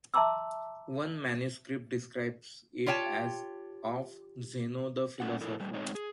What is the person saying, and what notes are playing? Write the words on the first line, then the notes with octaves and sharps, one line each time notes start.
One manuscript describes it as "of Zeno the Philosopher".
E5 A5 A#5 C6 D6 E6
F4 G4 C#5 G5 A5
G2 A3 C#4 F#5
F2 E4 A4 A#4
A#2 G3 A3
G#3 A3 C4 D#4 C#5
G#4